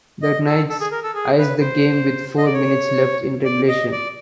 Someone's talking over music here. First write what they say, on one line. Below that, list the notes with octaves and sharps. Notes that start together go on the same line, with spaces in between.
The Knights iced the game with four minutes left in regulation.
D#5
A4
A4
G#4
A#4
A4
G#4
B4
C5
D#5
D5
C#5
D5
D#5
D5